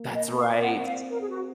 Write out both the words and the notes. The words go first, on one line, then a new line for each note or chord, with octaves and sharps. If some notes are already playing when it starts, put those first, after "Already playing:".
That's right.
Already playing: A#3
D#5
F5
C4 F#5
F5
A#4
G#4
F#4